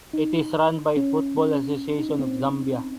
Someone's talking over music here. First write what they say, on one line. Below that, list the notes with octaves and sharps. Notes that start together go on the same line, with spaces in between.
It is run by the Football association of Zambia.
D#4
C#4
C#4
D#4
C#4
C4